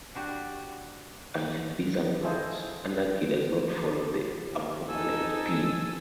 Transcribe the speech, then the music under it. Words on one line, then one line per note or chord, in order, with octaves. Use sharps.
Unlike these albums, "Anarchy" does not follow the apocalypse theme.
D4 F#4 G4
E4 F4 G#4 A4 C5 D#5
D#2
F2 D#4 A4 G#5 E6